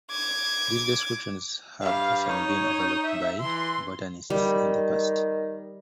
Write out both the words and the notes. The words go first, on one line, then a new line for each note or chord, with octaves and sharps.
These descriptions have often been overlooked by botanists in the past.
D6 G#6
G2 F5
D#4 C#5
E5
E3 C6
D#3 G3